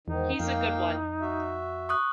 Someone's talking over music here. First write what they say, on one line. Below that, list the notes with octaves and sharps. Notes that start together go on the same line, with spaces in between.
He's a good one.
E2 G#2 D#3 D#4
F2 A#3 F5 G5
F#4 E5
C#6 D#6 F#6